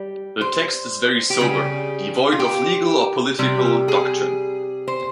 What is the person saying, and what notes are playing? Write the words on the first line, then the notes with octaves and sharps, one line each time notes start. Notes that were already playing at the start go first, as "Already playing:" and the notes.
The text is very sober, devoid of legal or political doctrine.
Already playing: G3
C5
G4
C#3 G3 G#4
F4
G4
C3 G3
G#4
C5